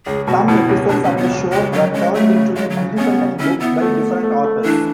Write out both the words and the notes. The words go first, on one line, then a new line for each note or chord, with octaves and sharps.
Some episodes of the show were turned into the independent books by different authors.
C#2 G#4
B2 F#4
B2 E4
C#2
B2 D4
C#4
F#3
B3
C#2
C#2 G#3
C#3 F#3
G#3 C#4
F#3 A3
C#3
C#3 G#3
F#3
C#3
B3 C#4
C#3
C#4 E4
B3 E4
A3
A3
A3
A3
E3 D4